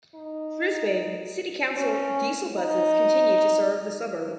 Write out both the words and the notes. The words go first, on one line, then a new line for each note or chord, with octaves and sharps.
Brisbane City Council diesel buses continue to serve the suburb.
D#4
C#4
D#4